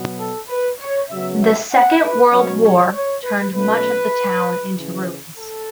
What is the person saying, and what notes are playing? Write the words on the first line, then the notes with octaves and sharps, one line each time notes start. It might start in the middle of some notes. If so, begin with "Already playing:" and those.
The Second World War turned much of the town into ruins.
Already playing: B2 F#3 B3
A4
B4
C#5
C#3 F#3 B3 E5
E5
F#5
B4
B2 F#3 C#4 C#5
C#5
C#5
B4
B2 F#3 A3 C#4 B4
C#3 E3 C#4
A4